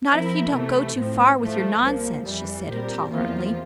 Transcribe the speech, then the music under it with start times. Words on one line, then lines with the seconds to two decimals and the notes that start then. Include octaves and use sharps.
"Not if you don't go too far with your nonsense," she said tolerantly.
0.11 F3 C4 E4 A#4
0.54 C3 E3 A3
0.97 A2 F3 C4
1.40 A2 F3 A3
1.83 C2 A#2 F3 A#3
2.26 F2 E3 G3
2.69 A#2 G3 C4 G4 A#4
3.11 E2 C3 F3 A#3 F4